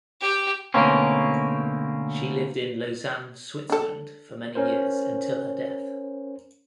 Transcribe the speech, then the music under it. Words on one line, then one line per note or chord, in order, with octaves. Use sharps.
She lived in Lausanne, Switzerland, for many years until her death.
G4
D2 B2 A#3 C4 C#4
D4 A4
C#4 A#4 C5